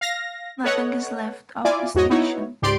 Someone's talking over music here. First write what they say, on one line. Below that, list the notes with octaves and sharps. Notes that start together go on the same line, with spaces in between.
Nothing is left of the station.
F5 A#6
A4 B4 C#5 D#5 F#5
E4 F4 D5 G#5 D6
E2 G#2 F#4 C#5 D#5
B3 D#4 E4 F#4 C#5
C#2 G#2 G4 D5 C6 D7